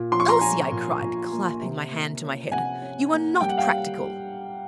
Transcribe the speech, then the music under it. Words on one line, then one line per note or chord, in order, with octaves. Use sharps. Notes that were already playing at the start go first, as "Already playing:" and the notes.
'Elsie,' I cried, clapping my hand to my head, 'you are not practical.
Already playing: A#2
F3 C6
C#6
A#5 C6
F3 G#5 A#5
A#2
A#2
A#3
C3
A#3
C#4
C3 F#5 G#5
C#4
A#3
G3 G5
F#5
F5 G5